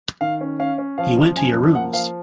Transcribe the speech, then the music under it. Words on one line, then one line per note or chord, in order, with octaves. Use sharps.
He went to your rooms.
D#3 F5
C#4
C#4 F5
C#4
F3 F5
F3
F#2 G#5
F3
A#3 F#5
F3 F5